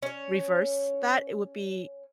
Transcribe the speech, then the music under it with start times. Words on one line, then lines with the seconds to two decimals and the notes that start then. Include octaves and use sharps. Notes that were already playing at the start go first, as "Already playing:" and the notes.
reverse that, it would be
0.03 C#4 C#5